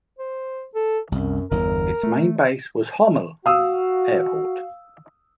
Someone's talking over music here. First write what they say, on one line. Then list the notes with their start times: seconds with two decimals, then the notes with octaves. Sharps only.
Its main base was Homyel Airport.
0.19 C5
0.75 A4
1.12 C2 F#2
1.51 G1 E2 D3 A#4
2.03 A3
3.46 F#4 F5 D#6 E6